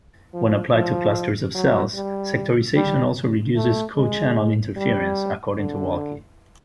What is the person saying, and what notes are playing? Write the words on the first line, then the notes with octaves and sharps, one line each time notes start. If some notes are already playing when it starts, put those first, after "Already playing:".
When applied to clusters of cells sectorization also reduces co-channel interference, according to Walke.
F3
F3
F#3
G3
G3
A3
G#3
G3
D3